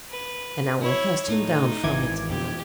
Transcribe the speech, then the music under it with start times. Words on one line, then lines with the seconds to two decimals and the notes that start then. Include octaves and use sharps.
"And I will cast him down from it."
0.11 B4
0.81 E4 C#5
1.28 A2 D#4
1.84 G#1 E3 D6 G#6
2.30 F2 B2 D3 G4